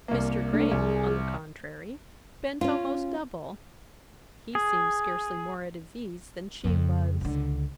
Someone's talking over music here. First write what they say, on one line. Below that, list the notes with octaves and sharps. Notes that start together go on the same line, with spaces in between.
Mr. Graham, on the contrary, bent almost double--he seemed scarcely more at his ease than she was.
C2 A#3
A3 D4
C2 G#4
C#4 F4
G#4
F2 C#3
C#2 D3